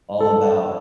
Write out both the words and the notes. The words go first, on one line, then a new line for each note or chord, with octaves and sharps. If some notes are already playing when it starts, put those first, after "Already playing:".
all about
A4